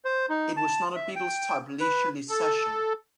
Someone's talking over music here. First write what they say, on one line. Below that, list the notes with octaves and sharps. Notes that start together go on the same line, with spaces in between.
It was not a Beatles-type leisurely session.
C5
D#4
A5
E5
G5
B4
A4